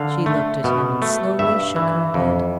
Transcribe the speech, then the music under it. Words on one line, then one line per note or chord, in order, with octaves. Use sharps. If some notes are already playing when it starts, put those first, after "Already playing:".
She looked at him, and slowly shook her head.
Already playing: D3 F5
A3
B2
A3
G2 E5
E3
F2